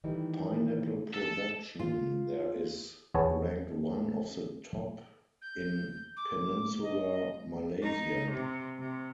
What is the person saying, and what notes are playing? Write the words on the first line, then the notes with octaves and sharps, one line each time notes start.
Pineapple production there is ranked one of the top in Peninsular Malaysia.
D#3 E3 G3 A3 D#4 E4
A4
F4
E2 B3 C#5 G#5 A5
G6
D6
D#5
D#4
C3
C3